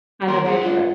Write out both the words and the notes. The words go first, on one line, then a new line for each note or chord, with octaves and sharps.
on the regular.
D#2 A#4 C6
G2 G#4 F#5
F4